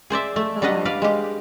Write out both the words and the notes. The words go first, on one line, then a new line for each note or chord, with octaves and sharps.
I feel like
G#4 C5 D5 E5
A3
G3 D4 B4 D#5 F#5
B4 D5 F5
G#3 G4